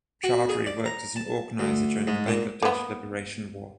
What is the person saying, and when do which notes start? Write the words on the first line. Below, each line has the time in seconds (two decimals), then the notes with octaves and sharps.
Chowdhury worked as an organiser during the Bangladesh Liberation war.
0.24 F#4
0.49 G#4
0.66 D5
0.85 A#5
1.16 A5
1.59 D2
2.07 G#2
2.27 A#2
2.62 A#3 B3